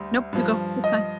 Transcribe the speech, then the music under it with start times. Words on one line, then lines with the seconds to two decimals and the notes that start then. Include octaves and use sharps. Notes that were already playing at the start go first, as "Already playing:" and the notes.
Nope, you go. That's fine.
Already playing: D2 G3
0.33 G2 F3
0.84 D#5